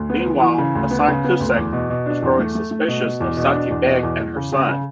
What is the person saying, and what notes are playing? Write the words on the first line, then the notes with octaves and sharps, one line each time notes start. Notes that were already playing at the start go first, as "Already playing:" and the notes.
Meanwhile, Hasan Kucek was growing suspicious of Sati Beg and her son.
Already playing: D2
B3
E3
E3
C#3
D2
B3
C#3
B3
D2
E2
B2
B2
D4
E2
A3
A3
A3
B2
B2
E2
B2
D4
E2
B2
E2
E2
C#3
C#3
C#3